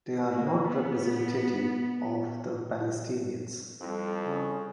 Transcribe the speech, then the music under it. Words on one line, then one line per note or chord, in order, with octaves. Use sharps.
They are not representative of the Palestinians.
A#3
B3
F2 G3 C4 E4 A4
C#3